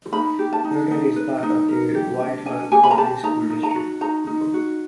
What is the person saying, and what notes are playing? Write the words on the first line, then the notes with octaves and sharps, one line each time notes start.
Fullerton is part of the Whitehall-Coplay School District.
D#4 B5
G4
A5
D#4
D#4
B4
D#4
A#4
G4
D4
D4 G#5
G4 G#5
B5
A#5
G4 A5
D#4 A#5
D#4
A#5
F#4
D#4 A#5
D#4
F#4